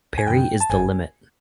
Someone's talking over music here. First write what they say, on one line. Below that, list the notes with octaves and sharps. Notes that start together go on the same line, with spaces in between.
Pari is the limit.
G#5
F#2 D3 G5
A5
G1 G#5